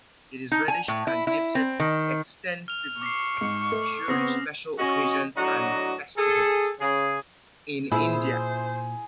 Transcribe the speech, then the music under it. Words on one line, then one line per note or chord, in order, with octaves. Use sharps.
It is relished and gifted extensively during special occasions and festivals in India.
D#4
G#5
A2
E4
E4
C4
D#3
F6 F7
C#6 D6 C7
G#2 C#7
A3
C#3 B3 C4 D#6 A#6 C7
C#4 F#4 D#5
A2 F#3 D4 F#4 D#5 A#5
G#4 A4
C#3 G#4
A#2 E4 G#4 C5